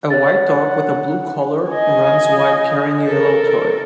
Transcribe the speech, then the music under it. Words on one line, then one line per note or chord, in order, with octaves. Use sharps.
A white dog with a blue collar runs while carrying a yellow toy.
C#5 F#5 A6
D#5 G#5
A4 A#4